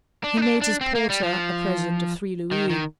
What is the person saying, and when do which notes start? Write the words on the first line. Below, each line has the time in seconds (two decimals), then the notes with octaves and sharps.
He made his porter a present of three louis.
0.24 D4
0.37 D#4
0.42 D4
0.62 D4
0.81 C4
0.95 A#3
1.10 G3
1.23 F3
2.51 D#3
2.70 D#3